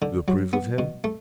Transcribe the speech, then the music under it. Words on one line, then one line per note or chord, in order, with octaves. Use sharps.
"You approve of him?"
D3
F#3
B3
B2
A3